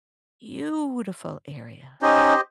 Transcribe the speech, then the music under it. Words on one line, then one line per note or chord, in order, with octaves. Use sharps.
Beautiful area.
C#4 D#4 G4 C5 D#5